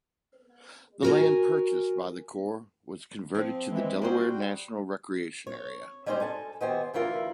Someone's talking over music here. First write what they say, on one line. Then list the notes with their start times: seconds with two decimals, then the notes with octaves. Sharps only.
The land purchased by the Corps was converted to the Delaware National Recreation Area.
1.03 F#4 A#4 G#5
3.35 F3 C4
3.69 E3 G#3 E4 E5
4.02 G3 F#4 G#4 C5 G5
5.47 C#5
6.06 G3 G#3 C4 D#4 G#4 C5
6.20 A4 G#5 A5
6.61 D#3 B3 G4 C5 G#5
6.94 D2 E3 E4 F4 A#4